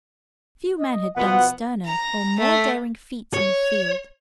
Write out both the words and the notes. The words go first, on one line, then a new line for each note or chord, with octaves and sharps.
Few men had done sterner or more daring feats in the field.
D#5
B2 F3 B3 F#5
A#5
A3
C#5